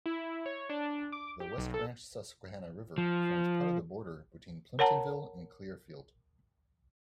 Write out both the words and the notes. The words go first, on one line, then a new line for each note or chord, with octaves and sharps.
The West Branch Susquehanna River forms part of the border between Plymptonville and Clearfield.
E4
C#5
D4
D6
G4
B1
A4
F3
A#4 C#5 F#5 A5 A#5